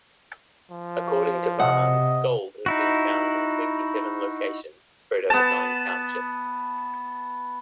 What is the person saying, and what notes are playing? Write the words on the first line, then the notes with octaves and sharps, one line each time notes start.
According to Barnes, gold has been found in twenty-seven locations spread over nine townships.
F3
C3 D#5 F#5
D#4 E4 F#4
B3 A5